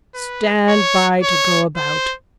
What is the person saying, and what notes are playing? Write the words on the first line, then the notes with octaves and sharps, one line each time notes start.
Stand by to go about.
B4
C#5
C#5
C5